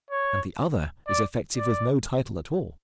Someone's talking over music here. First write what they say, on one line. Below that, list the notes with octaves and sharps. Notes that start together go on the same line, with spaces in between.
And the other is effective with no title at all.
C#5
D5
D5